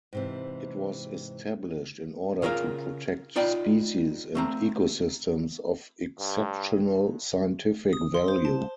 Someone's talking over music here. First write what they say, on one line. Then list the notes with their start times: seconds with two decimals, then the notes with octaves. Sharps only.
It was established in order to protect species and ecosystems of exceptional scientific value.
0.13 G#2 C3 E3
2.42 C#3 F4 A#4 B4 F5
3.36 D#4 F4 D5 G5 B5
4.35 A3 C4 A#5
6.20 G2
7.93 D#6
8.14 C6
8.28 C5
8.45 A5